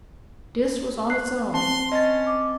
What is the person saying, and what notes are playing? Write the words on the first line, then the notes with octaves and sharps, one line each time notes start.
Dis was on its own.
F#6 C7
C4 A5 C6
C#4 D#5 A6
D6